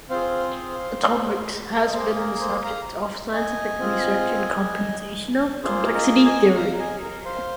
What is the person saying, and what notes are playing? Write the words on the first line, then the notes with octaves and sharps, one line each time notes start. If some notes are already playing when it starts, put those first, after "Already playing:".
"Atomix" has been the subject of scientific research in computational complexity theory.
C4 F4 G#4 C5 F5
D#5
A#3 G#4 C5
A#4
C5
F5 A#5
D#5 G#5
C4 F4 G#4
A#3 F4 G#4 C5
A#4 D#5
D#5 G#5
F5 A#5
D#5 G#5
A#4
C5 F5